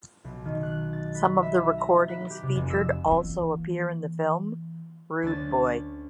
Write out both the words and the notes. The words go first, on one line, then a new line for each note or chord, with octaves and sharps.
Some of the recordings featured also appear in the film "Rude Boy".
B1
D#3
F#6
A6
B4
E5
A#5
B4
G4
C3
F1
E6
E3 A#3
D2 C#4 D4 A6